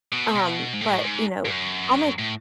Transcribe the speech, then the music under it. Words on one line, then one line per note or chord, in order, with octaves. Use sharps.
Um, but, you know, all my
B2
B2
G#2
A2
G#2
G#2
F#2
A2